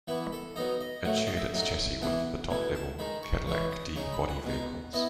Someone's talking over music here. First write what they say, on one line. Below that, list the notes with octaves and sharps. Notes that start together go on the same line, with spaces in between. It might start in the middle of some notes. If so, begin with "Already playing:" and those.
It shared its chassis with the top-level Cadillac D body vehicles.
E3 B3 E4 B4
A4
F#3 B3 D#4 D#5
D#5
A2 F#3 A3 F#5
E5
D#5
E5
F#3 A3 D#4
E3 B3 E4 F#5
B2 A3 E4 G#5
A5
D#3 G#3 D#4 B5
C#6
E3 G#3 C#4 E4 C#6
D#6
C#3 G#3 D#4 C#6
B5
F#5
B2 G#3 D#4
B3 E4 D#5